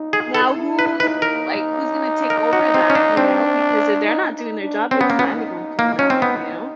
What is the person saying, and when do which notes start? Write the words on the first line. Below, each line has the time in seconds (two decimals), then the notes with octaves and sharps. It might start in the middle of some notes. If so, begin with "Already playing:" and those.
now who's, like, who's gonna take over that? You know? Because if they're not doing their job, it's landing on someone else, you know?
Already playing: D#4
0.13 G#4
0.34 A4
0.56 E4
0.79 B4
1.00 D#4 B4
1.22 A#4
2.30 A#4
2.53 F#4
2.74 C4
2.90 C#4
2.95 D4
3.17 C4 D4
4.05 D#4
4.34 D#4
4.63 D4
4.91 C4 C#4
5.01 B3
5.10 A#3
5.19 B3
5.34 D#4
5.79 A#3
5.99 C#4
6.10 C4
6.22 B3